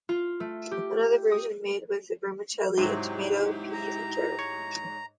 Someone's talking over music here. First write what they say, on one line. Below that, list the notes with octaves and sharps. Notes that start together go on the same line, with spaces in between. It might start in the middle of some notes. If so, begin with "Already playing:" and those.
Another version made with Vermicelli and tomato, peas and carrot.
F4
A3
G4
D#6
G#2 C3 F#3 E4 G4
A#5
C#5